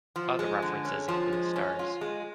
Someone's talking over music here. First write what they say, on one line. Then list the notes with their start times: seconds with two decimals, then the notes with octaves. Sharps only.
Other references include stars.
0.16 F3
0.39 G#3
0.62 D3
0.85 C#4
1.08 F3
1.33 G#3
1.56 C#4
1.79 F4
2.01 G#3